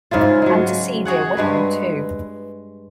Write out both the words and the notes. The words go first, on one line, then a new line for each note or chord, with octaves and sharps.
And to see dear Wickham too!
G#2 C#3 E4 F4
F#3 G#3
F#4 G#4 C#5 F#5
G2 G#3 B4